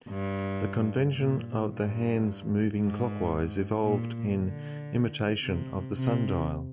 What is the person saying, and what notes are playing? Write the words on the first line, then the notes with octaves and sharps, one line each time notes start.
The convention of the hands moving clockwise evolved in imitation of the sundial.
G2
A#2
G2
G#2
A#2
D3
C3
C3